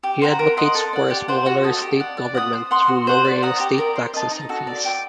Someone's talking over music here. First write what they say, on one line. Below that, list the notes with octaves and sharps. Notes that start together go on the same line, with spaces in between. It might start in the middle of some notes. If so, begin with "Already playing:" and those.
He advocates for a smaller state government through lowering state taxes and fees.
G4
C5 F#5 A#5
A#4
D#5 F#5 C6
A4
D5 F#5
G4
C5 F#5
F#4
A4 D#5 A5
G4
D5 F#5
D5
F#5 A#5 D#6
C5
F#5 C6 D#6
F#4
C5 F#5
D5
F#5 A#5 D#6
G4
A#4 D5
C5
D#5 A5
D#4
F#4 A4
D5
G5 D6